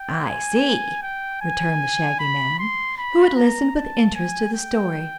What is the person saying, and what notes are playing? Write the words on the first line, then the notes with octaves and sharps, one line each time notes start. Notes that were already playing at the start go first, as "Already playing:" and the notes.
"I see," returned the Shaggy Man, who had listened with interest to the story.
Already playing: G5
G#5
G5
G#5
B5
C6
B5
A#5
A5
G#5
G5